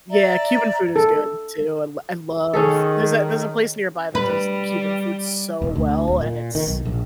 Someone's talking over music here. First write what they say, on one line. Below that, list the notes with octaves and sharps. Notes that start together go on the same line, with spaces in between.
Yeah, Cuban food is good too, I l I love there's a there's a place nearby that does Cuban food so well, and it's
D5 E5 A#5
A4
D#3 C#4 G#4 A4
G3 B4
E1
D2
D1
A#2
D#3
B1
A#1